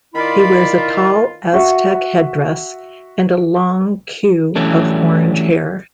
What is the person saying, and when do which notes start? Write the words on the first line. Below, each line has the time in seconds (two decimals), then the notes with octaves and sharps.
He wears a tall Aztec headdress and a long queue of orange hair.
0.15 D#3 E4 F4 D5 B5
1.53 F#4 E5 F#5 C#6
4.56 E3 F#3 G3 A3 C#4 D4